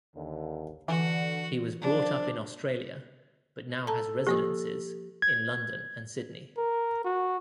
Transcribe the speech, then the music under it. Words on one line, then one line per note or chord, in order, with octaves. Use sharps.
He was brought up in Australia, but now has residences in London and Sydney.
D#2 D3
D3 E3 F#4
F3 D4
A4 A5 A#5
F3 A#3 G4 D#6
G#6
A#4
F#4